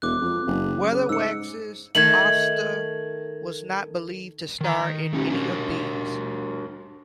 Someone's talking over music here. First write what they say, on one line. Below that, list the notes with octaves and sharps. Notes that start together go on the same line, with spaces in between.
Weatherwax's Asta was not believed to star in any of these.
E1 D6 F#6
F2
F#1
C#3
G#2 E6 C#7
D#3 A3 G#6 F#7
D#3 A#5
A3 C#4 D#4 G4
D4 F#4 A#4